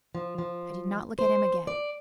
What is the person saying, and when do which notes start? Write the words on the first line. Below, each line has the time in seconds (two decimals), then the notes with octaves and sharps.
I did not look at him again.
0.15 F3
0.38 F3
1.19 C5
1.67 D5